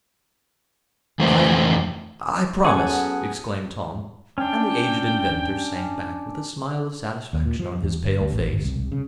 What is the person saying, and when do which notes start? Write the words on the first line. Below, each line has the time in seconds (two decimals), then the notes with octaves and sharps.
"I--I promise!" exclaimed Tom, and the aged inventor sank back with a smile of satisfaction on his pale face.
1.19 F2 E3 A3 C5
2.65 F#3 B3 C#4 G#4 A4 F#5 G#5
4.38 C#4 D4 G5
7.33 D#2
7.46 A#2
7.59 F3
7.83 E2
8.04 G1
8.20 D2
8.32 A1
8.52 G1
8.64 C2
8.79 C2
8.92 C#3